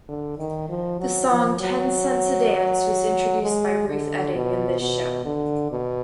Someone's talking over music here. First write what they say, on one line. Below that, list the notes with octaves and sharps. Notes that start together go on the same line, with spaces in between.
The song "Ten Cents a Dance" was introduced by Ruth Etting in this show.
D3
D#3
F3
F#3
F3
F#3
G#3
D3
B2
B2
D3
B2